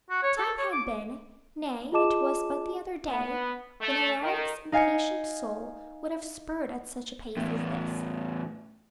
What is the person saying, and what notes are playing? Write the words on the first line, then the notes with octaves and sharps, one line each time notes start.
Time had been--nay, it was but the other day--when Alaric's impatient soul would have spurned at such a pace as this.
F#4
C#5
A4
C#5
D6
F4 G#4 D#5 A5 D6 E7
B3
A3
D#3
D#4 F5 G#5 G#6 C#7
E2 A2